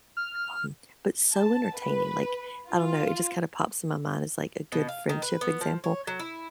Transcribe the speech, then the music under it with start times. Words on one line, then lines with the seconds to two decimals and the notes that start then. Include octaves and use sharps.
um, but so entertaining, like, I don't know, it just kinda pops in my mind as like a good friendship example,
0.17 F6
1.33 A5
1.78 B4
2.70 F4
4.72 B2
4.89 F5
5.09 D#3
5.22 B4
5.41 B3
5.61 F3
5.84 C#5
6.07 F#3
6.20 E4